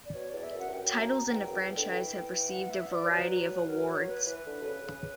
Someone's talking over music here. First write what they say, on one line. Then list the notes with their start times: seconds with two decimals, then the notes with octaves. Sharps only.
Titles in the franchise have received a variety of awards.
0.05 D5
0.14 B2 C#5
0.29 E2 D5
0.43 E5
0.54 F#2 F#5
0.66 G2
0.73 F#2 G5
1.03 A#5
1.27 F#5
1.32 E2 G5
1.46 F#2
1.62 E2
1.76 D3
1.92 E3
2.50 F#5
2.70 E5
2.90 D5
3.03 E3
3.09 F#3 B4
3.68 F#3 A#4
3.88 C#5
4.07 B4
4.27 E3 B4
4.46 D3
4.62 B2
4.66 C#3
4.87 C#3